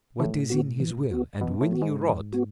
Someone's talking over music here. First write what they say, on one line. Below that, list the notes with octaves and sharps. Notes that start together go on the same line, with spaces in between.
What is in his will, and when he wrote?'
A2 E3
B3 F#4
E3
B3 F#4
B2 E3
A2
B3 F#4
G#2
E3
B3 F#4